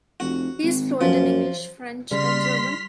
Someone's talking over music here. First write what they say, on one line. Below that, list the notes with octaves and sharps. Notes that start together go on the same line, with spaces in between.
He is fluent in English, French and German.
F1 F#4
G#1
F#2 F3
C#3 G3 D5 C6 F6 B6